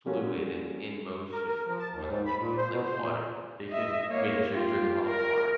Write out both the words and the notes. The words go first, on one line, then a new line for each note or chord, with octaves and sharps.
fluid and in motion. One of the things is, like water. Taking in making sure you drink a lot of water.
G3 A#3 C#4 F4 F#4 A4
A#4
A#4
F3
A5
D#2
G#2
B5
A#2
C5
B2
C5
A#2
D#5 E5
A#3 C#5
F4 G4
A#4